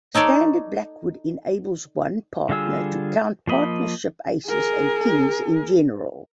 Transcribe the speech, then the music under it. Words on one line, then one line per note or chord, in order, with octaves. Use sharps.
Standard Blackwood enables one partner to count partnership aces and kings in general.
D#4 A4 C#5 D5
D3 G3 F4 G#4 E6
F3 A#3 D#5 B5
G#4 A#4